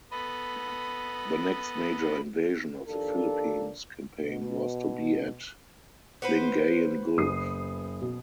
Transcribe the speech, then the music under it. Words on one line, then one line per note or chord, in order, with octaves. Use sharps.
The next major invasion of the Philippines campaign was to be at Lingayen Gulf.
B3 A4 D#5 B5
D#2 F3 A#3 D4 A4
B2
B3 B4 C5
F#1 D#6 C7
B2